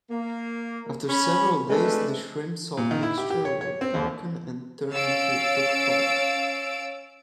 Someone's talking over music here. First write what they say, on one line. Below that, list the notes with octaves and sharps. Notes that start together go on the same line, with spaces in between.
After several days, the shrimp-salt mixture will darken and turn into a thick pulp.
A#3
C#4 B5
G#3 A3 C4 D4 A4 B4
A#2
D#3
E4
G4
G4
C#5
C#5
C4
D#2
C#4 F5 E6 A6 D7